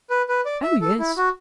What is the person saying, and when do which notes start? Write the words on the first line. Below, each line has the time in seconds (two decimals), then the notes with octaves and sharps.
"Oh, yes."
0.10 B4
0.28 B4
0.45 D5
0.63 E5
0.81 A4
0.99 E4
1.17 F#4